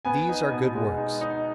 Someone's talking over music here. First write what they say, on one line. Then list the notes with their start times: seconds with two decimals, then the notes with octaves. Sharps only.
These are good works.
0.05 B3 G#5
0.29 D#4
0.52 B2
0.75 G#3
0.97 D#4
1.21 D#4